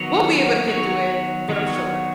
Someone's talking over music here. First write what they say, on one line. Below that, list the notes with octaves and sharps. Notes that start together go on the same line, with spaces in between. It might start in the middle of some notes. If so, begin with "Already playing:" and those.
we'll be able to get through it, but I'm sure.
Already playing: D#3 F#3 B3 F#4 C#5
D#3 F#3 B3 F#4 C#5
D#3 F#3 B3 F#4 C#5